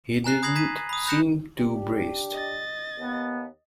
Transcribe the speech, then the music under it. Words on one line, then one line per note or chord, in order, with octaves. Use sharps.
He didn't seem too braced.
G#5 A#5 F#6 C7
B5 D#6 G#6 A#6 C7 F#7
A#5 G#6 B6 D#7
B5 D#6
B5 F#6 G6 A#6 C#7 E7
D4 G4
D#5 A6
D#2 B3